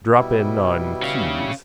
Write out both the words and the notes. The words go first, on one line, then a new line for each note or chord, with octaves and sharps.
Drop in on Keyes.
B2 G3 E4
C#4 F5